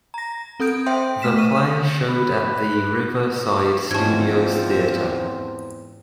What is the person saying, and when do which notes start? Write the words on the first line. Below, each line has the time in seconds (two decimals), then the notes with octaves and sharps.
The play showed at the Riverside Studios theatre.
0.14 A#5 A#6
0.60 C4 A4 D#6 G6 D7
0.86 C5 E5 G5 C6
1.22 A3 F6 B6 E7
1.37 C#6 F6 D#7
2.07 B4
3.91 E2 G#2 F3 C4 C#4 C5 A5 G#6